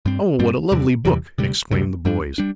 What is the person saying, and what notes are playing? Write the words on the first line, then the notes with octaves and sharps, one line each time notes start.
"Oh, what a lovely book!" exclaimed the boys.
G2 G3 C4
G2 G3 C4
E2 C3 E3 G3
E2 C3 E3 G3
D2 C3 G3
D2 C3 G3
G2 G3 D4
G3 D4